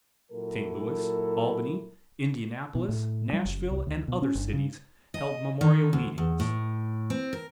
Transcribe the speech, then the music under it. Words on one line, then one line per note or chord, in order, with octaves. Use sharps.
St. Louis, Albany, Indianapolis, Nashville, and other cities held memorial meetings.
A#2 F#3 E4 F#4 A4 A#4
B2
A2
G3
F#1
C2
D2
B2
C#4
G1
C#3
D#5
D#3
D2
E2
A2
C4
A#4